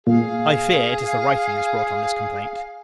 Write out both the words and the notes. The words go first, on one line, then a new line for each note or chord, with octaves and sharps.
I fear, it is the writing has brought on this complaint.
A#2 G#4 F5